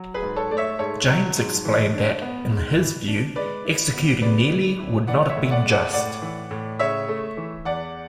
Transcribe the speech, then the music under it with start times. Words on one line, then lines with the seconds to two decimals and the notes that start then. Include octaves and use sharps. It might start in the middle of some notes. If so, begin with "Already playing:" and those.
James explained that, in his view, executing Neelley would not have been just.
Already playing: F#3
0.14 G#4 B4
0.22 G#2
0.36 A4 C#5
0.51 A3 D5
0.57 C#5 E5
0.79 G#2 A4 C#5
1.08 F#3
1.37 G#2
1.65 E3
1.94 D4
2.22 B3
2.51 G#2
2.79 E3
3.08 D4
3.36 G#3 B4 D5
3.65 E4
3.94 B3
4.22 C#3 B4 D5
4.51 G#3
4.79 E4
5.07 E3 D5 F#5
5.29 C#5 E5
5.37 A2
5.51 D5 F#5
5.65 G#3
5.72 D5 F#5
5.93 A2 D5 F#5
6.22 E3
6.51 A2
6.79 C#3 C#5 E5
7.08 A3
7.37 E3
7.65 E2 D5 F#5